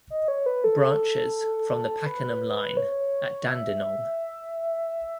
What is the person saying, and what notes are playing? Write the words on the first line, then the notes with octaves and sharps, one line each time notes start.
Branches from the Pakenham line at Dandenong.
D#5
C#5
B4
A4
B4
C#5
E5